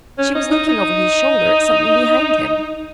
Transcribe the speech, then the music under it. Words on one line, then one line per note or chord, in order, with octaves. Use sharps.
She was looking over his shoulder at something behind him.
C#4
D#4
D#4
D#4